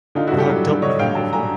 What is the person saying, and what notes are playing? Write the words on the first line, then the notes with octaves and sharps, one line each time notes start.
And I have dealt with him before.
D3 D#4 F4
E4 F#4
G2
G4 A4
F#3
G2
D3 C#5 D#5
G2 F5 G5
F#3 G5 A5
G#5 A#5